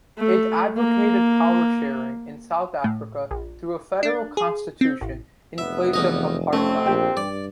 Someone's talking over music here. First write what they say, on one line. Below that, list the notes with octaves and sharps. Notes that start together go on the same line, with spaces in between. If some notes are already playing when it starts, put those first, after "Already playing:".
It advocated power-sharing in South Africa through a federal constitution, in place of apartheid.
A3
A#3
A2
A#1
D4
G#4
C4
A1
F1 B1 B3 E5
E2 D#4 D#5
F2 A3 C4 C#4
A#1 G4 G5
G2 D5